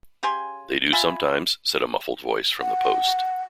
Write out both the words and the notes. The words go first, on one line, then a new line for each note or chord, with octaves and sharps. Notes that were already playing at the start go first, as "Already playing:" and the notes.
"They do sometimes," said a muffled voice from the post.
C#3 G4 G#5 C6
F4 E5 G#5 B5
F#5